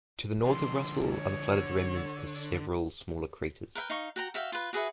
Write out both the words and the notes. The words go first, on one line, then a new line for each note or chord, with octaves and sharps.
To the north of Russell are the flooded remnants of several smaller craters.
D3 F3 C6
C#5
D3
A#4 B4 E5 G5
D#4 F5 C#6
F#4 G5 A#5
F#4 E5 F5 G5
F4 B4
F#4 G#4 B4 E5